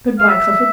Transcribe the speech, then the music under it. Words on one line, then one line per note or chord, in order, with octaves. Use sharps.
Good-bye, Clifford.
F5
E5